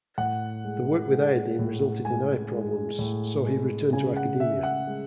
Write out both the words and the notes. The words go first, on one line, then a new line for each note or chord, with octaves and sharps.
The work with iodine resulted in eye problems, so he returned to academia.
A2 F#5
G#3
G#3
A2
G#3 G#5
G#3
A2
G#3
C#3 G#5
F#5
C#3 E5
F#5
G#3